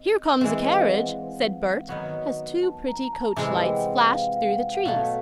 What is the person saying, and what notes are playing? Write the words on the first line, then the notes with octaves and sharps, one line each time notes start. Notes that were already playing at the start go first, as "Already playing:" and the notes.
"Here comes a carriage," said Bert, as two pretty coach lights flashed through the trees.
Already playing: C4 D#5
E3 G#3 C4 E5
F5
F#5
D#3 F#3 B3 D#4 F#4
A5
A#5
A#5
A5
C3 E3 G#3 C4 E4 G#5
G5
F#5
F5
F5
F#5
F#5
B2 F#3 A3 F5
F#5